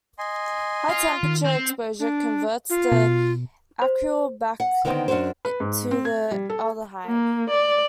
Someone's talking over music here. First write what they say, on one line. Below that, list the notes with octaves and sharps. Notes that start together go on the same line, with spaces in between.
High temperature exposure converts the acylal back to the aldehyde.
D#5 G#5 C6
F4
D#3
C4
D4
F4
B2
C5
F#5
D3 D#3 B3 C4 D4 D#4
F#2 D4 F#4 G4 C5
B4
G#2
C4
G#6
G3
A4
A#3
D5